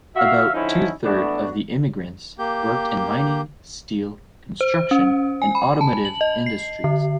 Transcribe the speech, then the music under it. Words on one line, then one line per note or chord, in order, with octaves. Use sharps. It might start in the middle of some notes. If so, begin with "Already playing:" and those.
About two-third of the immigrants worked in mining, steel, construction, and automotive industries.
F#4 E5 F5
D3 F3 C#4 D#4 E4
E3 A3 B3 D4 F#4
A#3 G4 G6
C5
C#4
G#5
B5
A5
F#7
D#5
C7
D3